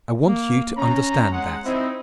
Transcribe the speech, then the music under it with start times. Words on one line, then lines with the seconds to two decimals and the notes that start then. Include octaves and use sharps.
I want you to understand that.
0.25 A#3
0.77 C#4 A#5
1.32 G#3 F#5
1.66 C4 D#4 E4 D#5